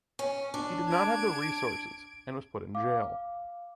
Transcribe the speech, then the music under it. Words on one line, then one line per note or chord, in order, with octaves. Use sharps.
He did not have the resources and was put in jail.
C#4
D4
G#6 D7
F5 D6